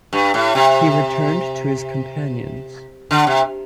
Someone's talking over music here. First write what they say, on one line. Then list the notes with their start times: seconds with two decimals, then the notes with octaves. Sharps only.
He returned to his companions.
0.13 G2
0.34 A2
0.55 C3
3.11 D3
3.27 C3